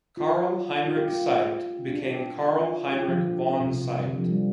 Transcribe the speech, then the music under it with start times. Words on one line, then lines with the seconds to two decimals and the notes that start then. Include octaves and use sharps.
Karl Heinrich Seibt became Karl Heinrich von Seibt.
0.17 F4
0.86 F4
0.96 G4
1.09 F4
1.88 D4
2.05 G4
2.58 F4
2.91 G4
3.00 F4
3.08 F3
3.17 D3
3.61 C3
3.71 C3
3.84 C3
3.94 C3
4.06 D3
4.18 F3
4.29 G3